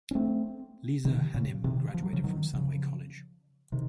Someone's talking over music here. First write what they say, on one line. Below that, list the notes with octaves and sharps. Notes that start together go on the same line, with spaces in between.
Liza Hanim graduated from Sunway College.
C#4
A3 C4
C3 D#3
A#2 C#3
C3 D#3
F3
F#3
C#3 F3
D#3 F#3
C#3 F3
C3 D#3